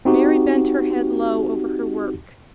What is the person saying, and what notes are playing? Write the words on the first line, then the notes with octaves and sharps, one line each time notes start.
Mary bent her head low over her work.
C4 D#4 F#4 G4